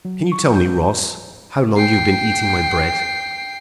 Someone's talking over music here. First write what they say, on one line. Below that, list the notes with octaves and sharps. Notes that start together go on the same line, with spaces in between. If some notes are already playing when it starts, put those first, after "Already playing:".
"Can you tell me, Ross, how long you have been eating my bread?"
F#3
C#6
G6
G5 C7